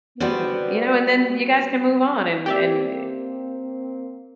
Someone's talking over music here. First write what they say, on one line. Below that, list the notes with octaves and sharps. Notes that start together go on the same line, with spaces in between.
Yeah, you know, and then you guys can move on, and and, eh,
G3 B3 F#4 B4 C5 D5
A#3 C4 G4 D5 E5